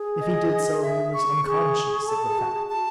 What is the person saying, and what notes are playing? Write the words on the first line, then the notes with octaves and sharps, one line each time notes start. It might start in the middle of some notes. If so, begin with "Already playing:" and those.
If he did so, he was unconscious of the fact.
Already playing: G#4
D#5
E5
C#6
G#4 C#6
A4 A5
A4
G#4
F#4
G#4
G#4 A5
F#4